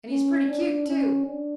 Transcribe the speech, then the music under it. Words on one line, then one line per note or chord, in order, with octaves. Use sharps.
And he's pretty cute, too.
C#4
D4
C#4
D4